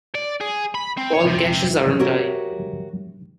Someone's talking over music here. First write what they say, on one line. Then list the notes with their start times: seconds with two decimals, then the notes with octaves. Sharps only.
All caches are on die.
0.15 D5
0.41 G#4
0.75 B5
0.97 C4
1.13 C#5
1.26 C3
1.99 F#4 G4 A#4 C#5 E5